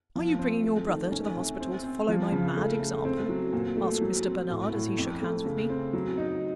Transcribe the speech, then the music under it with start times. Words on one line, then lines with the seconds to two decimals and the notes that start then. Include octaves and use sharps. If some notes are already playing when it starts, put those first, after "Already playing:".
"Are you bringing your brother to the hospital to follow my mad example?" asked Mr. Bernard, as he shook hands with me.
0.15 F3
0.39 C4
0.64 A3
0.88 D#3
1.12 C#4
1.36 C3
1.60 C4
1.84 C4
2.08 F3
2.32 C#3
2.57 A3
2.80 A3
3.05 C4
3.29 F#3
3.53 A#2
3.77 A3
4.01 F#3
4.25 C4
4.50 A2
4.73 A2
4.98 F2
5.22 A3
5.45 C#3
5.70 C4
5.93 F#3
6.18 D#4